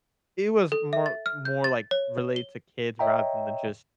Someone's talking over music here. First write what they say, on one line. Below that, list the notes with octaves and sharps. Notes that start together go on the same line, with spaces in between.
it was more more, like, relate to kids rather than just
A4
E5
A6
F6
G6
A6
C#5
G7
C#5 D#5 E5 G5 A#5